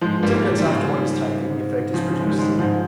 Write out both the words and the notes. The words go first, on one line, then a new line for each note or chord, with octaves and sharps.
Ten minutes after one is taken, the effect is produced.
G#2 F3 G#3
G2
G3 A#3
G#2
G3
A#2 F3
D#3 G3
G#2 C#3
C#3 F3
C#3 F3
G#3
D#3 G3
G#3
D#3 G3
G#2 C#3 F3